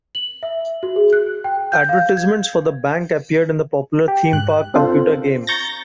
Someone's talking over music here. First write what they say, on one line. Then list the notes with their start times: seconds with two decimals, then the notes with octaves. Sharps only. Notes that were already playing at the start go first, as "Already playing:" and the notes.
Advertisements for the bank appeared in the popular "Theme Park" computer game.
0.15 F#7
0.43 E5
0.83 F#4
0.96 G#4
1.13 F#6
1.44 G5
1.72 G6
1.89 F5
2.17 G#6
4.08 G4
4.33 G#2 F#6
4.74 C4 D4 F4 A4 C5
5.47 A#5 C#6 G6 A6 A#6